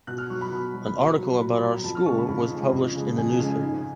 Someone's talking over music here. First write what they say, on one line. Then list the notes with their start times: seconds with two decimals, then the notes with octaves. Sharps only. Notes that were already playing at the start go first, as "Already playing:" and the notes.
An article about our school was published in a newspaper.
0.07 B2 F#6
0.18 F6
0.30 F#3 C#6
0.41 B5
0.52 B2
0.74 F#3
0.95 B2
1.18 F#3
1.40 B2 B5
1.62 F#3
1.84 F2 A5
1.95 F6
2.06 C#3 G#3 C#6
2.18 B5
2.28 F2
2.51 C#3 G#3
2.72 F2
2.95 C#3 G#3
3.17 F2 G#5
3.38 C#3 G#3
3.60 G#2